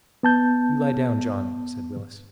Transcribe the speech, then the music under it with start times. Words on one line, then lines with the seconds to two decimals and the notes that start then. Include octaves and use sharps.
"You lie down, John," said Willis.
0.23 B3 A5 G6